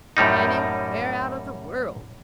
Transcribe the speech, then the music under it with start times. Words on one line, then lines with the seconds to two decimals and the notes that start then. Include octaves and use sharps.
"Anywhere out of the world."
0.17 F#2 A2 G3 D#4